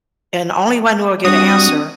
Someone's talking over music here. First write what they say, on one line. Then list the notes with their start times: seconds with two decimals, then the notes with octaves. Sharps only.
and the only way I knew I'd get a answer
1.25 G3 C4 D4 F#4 D#6